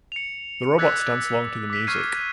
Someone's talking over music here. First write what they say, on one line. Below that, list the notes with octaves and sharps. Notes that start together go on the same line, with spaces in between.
The robots dance along to the music.
C#7 F7
D6 E6 F#6 G#6 A6 B6
D6 B6
C#6 F6 G#6 C7 D#7